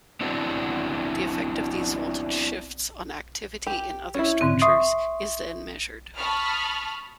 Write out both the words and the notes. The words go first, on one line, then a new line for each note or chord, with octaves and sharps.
The effect of these voltage shifts on activity in other structures is then measured.
B3 C4 D4 E4 F#4
G4
C#4 E4
G#2 D3 C4
E5 C6 C#6 D#6 C7
A5 B5 C#6 D#6 F6